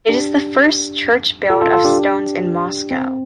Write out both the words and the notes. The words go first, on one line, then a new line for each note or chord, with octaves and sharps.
It is the first church build of stones in Moscow.
D4 G4
F4 A4
F4 A4
F4 A4
D4 G4
C4